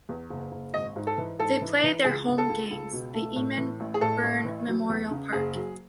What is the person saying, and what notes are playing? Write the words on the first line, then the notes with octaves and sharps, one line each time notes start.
They play their home games The Eamon Byrne Memorial Park.
E2
F#1
F#1
G#1 D#5
G#2
A4
E3
G#2 A4
E3
E3
C#2 G#4
C#2
A4
C#2
C#2
B2
A3
A2
E3
A1
G#4
A2 A4
A1
E3
F#3
E2
C#3
F#1 G#4
F#3